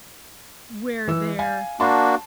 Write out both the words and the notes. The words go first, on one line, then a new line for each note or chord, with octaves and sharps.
where their
E3 E6
F5 G#5
A#3 D4 F#4 A5 C6